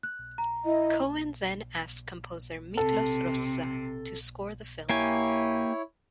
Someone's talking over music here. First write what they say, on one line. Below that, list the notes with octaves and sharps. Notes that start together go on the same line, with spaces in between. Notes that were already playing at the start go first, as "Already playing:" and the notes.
Cohen then asked composer Miklos Rozsa to score the film.
F#6
A#5
E4 D#5
C3 A4
A#3 E4 G4 C#5 G#5